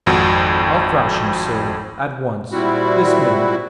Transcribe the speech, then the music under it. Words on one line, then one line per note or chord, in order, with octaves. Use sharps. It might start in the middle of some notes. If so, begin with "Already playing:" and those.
"I'll thrash him, sir, at once--this minute!"
G#1 F2 F#4
A#2 G3 C4 E4 F#4